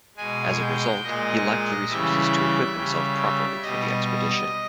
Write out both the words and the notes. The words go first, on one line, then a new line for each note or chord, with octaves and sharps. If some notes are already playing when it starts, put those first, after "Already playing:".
As a result, he lacked the resources to equip himself properly for the expedition.
B2 G#3 G#5
G5
A#2 G#3 D#5
C#3 E3 G3 E5
C#3 G3
E5
B2 G3 D#5